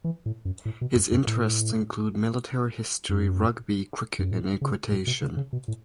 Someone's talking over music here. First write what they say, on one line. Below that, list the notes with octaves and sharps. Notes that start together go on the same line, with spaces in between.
His interests include military history, rugby, cricket and equitation.
E3
A2
F#2
A2
B2
F#2
F#2
A2
F#2
F#2
A2
C#3
A2
B2
C#3
C#3
B2
A2